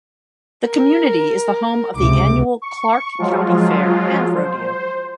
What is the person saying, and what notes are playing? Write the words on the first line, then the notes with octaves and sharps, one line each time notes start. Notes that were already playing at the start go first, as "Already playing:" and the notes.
The community is the home of the annual Clark County Fair and Rodeo.
A#4
C#2 C3 D6
C#6
F3 F#3 G#3 F4
C5